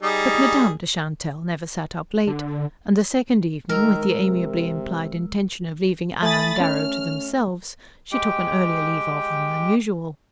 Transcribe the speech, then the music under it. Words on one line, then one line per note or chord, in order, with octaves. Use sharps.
But Madame de Chantelle never sat up late, and the second evening, with the amiably implied intention of leaving Anna and Darrow to themselves, she took an earlier leave of them than usual.
G3 D#4 G#4
D3
D#3 G#3 A#4 E6
C3
A3 G#5 B5 D#6 A6
C#4 F6
G#3 G4 G5